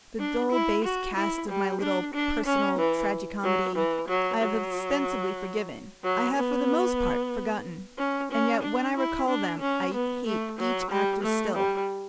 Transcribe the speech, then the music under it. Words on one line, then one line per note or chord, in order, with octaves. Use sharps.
The dull base caste of my little personal tragi-comedy--I have ostensibly forgiven, I have for the most part forgotten--and yet when I recall them I hate each actor still.
D4
E4
F#4
E4
G3
D4
D4
C#4
E3
F#3
E3
F#3
F#3
F#3
B3
C#4
C#4
D4
E4
D4
C#4
B3
A3
F#3
G3
A3
G3